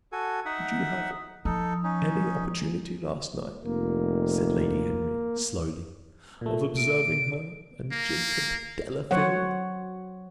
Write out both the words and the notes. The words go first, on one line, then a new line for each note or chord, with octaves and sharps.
"Did you have any opportunity last night," said Lady Henry, slowly, "of observing her and Jacob Delafield?"
F#4 A4 G#5
D#4 E5 F#5
F3 D#4 A4
C#4 D#4
F1 A#3
A#2 A3
D7
A#3
F#3 C5 C#5 F#5